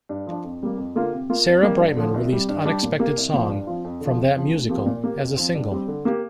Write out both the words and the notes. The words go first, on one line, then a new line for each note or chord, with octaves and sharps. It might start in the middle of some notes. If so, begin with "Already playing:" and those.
Sarah Brightman released "Unexpected Song", from that musical, as a single.
G2
F3 D4
F2
C3 G3 A#3
F2
D3 A#3 F4
C3
A#3 F4
F2
C3 G3 A#3 G4
G2
D3 F3
C2
C3 G3
G2
G3 D4 G4
A#2
A#3 G4
C2
A#2 F3
G2
F3 C4 F4
F2
D3
F3
F2
C3 F3
D2
C3 F3 A#3 G4
A#2
A#3 G4
F2
F3 C4
G2
G3 C4
D3
A#3 G4